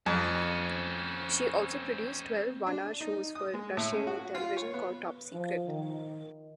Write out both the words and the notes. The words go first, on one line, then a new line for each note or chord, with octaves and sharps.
She also produced Twelve one-hour shows for Russian television called "Top Secret".
F2 C4 C#4
D4
D#4
D#6
G#3
A2
C#4
F#4
F4
C#5
B3
F3
D#3